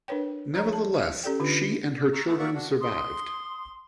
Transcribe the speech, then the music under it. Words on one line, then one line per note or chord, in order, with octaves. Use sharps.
Nevertheless she and her children survived.
D4 A#4 B4 C#5 G5
F3 C#5 A#5
A5
C#4 G4 A4 D5 G5
D3 D4 F4 B4
D5
A#5 C#6 E6 F6
A3 B3 E4 F#5
A#3 F#4 D5 E5 F#5 C#6
D4 F#4
C6 D#6